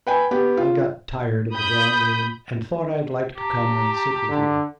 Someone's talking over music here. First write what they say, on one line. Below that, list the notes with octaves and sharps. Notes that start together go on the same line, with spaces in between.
I got tired of the drawing- room, and thought I'd like to come and sit with you.
B4 G5 G#5 B5
B3 G4
F4
B5 D#6 G6
G4 A5 A#5
D3